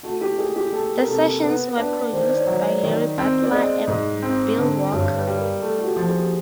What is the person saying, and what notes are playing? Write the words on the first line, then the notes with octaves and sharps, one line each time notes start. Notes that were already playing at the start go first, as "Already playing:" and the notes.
The sessions were produced by Larry Butler and Bill Walker.
A3 F#4
G4
A3 G#4
G4
A3 A4
A#4
C3 A4
B3 B4
D4 B4
D#3 C5
D5
C#5
F#3
D5
D#3 D5
C4
D5
G#3 D#5
G#2
C4
D3
G2 C#5
B4
G3
A#4
A3 A4
F#4
G4
F3
G#4
G4